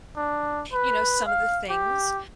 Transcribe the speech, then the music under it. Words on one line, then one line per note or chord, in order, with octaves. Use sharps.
you know, some of the things
D4
B4
F5
G4